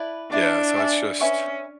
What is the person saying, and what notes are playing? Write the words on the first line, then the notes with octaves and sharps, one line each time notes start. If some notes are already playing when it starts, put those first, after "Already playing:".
Yeah, so it's just
Already playing: E4 B4 D5 A5
D4 E4 B4 D5 A5
B4 E5 G#5 C#6
C#4 B4 E5 G#5 C#6